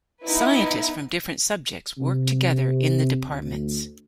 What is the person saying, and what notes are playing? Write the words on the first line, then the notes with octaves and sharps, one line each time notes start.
Scientists from different subjects work together in the departments.
B3 D#4 E4 B4
C3
D2